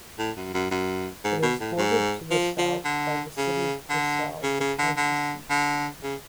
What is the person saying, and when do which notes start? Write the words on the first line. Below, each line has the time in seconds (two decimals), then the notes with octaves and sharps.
It is bordered to the south by the city of Pearsall, the county seat.
0.19 A2
0.37 F#2
0.54 F#2
0.71 F#2
1.24 G#2
1.43 B2
1.60 A2
1.77 G#2
2.31 F3
2.58 F3
2.85 D3
3.37 C#3
3.90 D3
4.43 C#3
4.61 C#3
4.79 D3
4.96 D3
5.50 D3
6.03 C#3